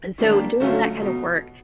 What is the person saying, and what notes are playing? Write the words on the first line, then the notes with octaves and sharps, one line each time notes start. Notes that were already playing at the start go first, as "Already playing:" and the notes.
so, doing that kinda work
D#3 G3 A#3 D4
D3 F#3 A3 C#4 F4
B2